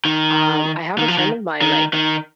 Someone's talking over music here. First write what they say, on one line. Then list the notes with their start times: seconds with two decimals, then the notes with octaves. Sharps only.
Um, I have a friend of mine, like,
0.05 D#3
0.98 D#3
1.08 F3
1.18 D#3
1.61 D#3
1.93 D#3